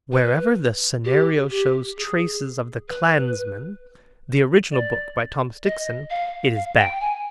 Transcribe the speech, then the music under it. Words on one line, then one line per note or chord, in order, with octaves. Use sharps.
Wherever the scenario shows traces of The Clansman, the original book, by Thomas Dixon, it is bad.
B4
G4
G4
G#4
B4
D5
D#5
F5
F5
G5
G#5